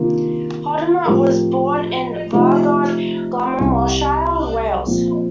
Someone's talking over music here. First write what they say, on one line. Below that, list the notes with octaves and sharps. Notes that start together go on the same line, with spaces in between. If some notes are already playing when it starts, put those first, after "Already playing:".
Hoddinott was born in Bargoed, Glamorganshire, Wales.
Already playing: C3 D#3 A#3 D4 F4
A2 F3 C4 G4 A#4
C3 F3 A3 D#4
C2 C3 G3
A#2 F3 C4